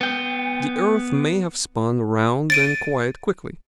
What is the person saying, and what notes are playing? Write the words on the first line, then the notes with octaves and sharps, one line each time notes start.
The earth may have spun round then quite quickly.
B3 G5
A6 D7 D#7